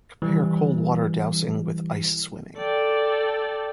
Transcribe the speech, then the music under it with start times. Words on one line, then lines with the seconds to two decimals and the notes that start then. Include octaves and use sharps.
Compare cold water dousing with ice swimming.
0.22 E3 G3
2.57 A4 D5 G5